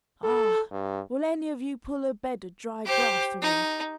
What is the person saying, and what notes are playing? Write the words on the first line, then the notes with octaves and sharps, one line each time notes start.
Ah, will any of you pull a bed of dry grass for me?
A4
G2
G4 C5
D#4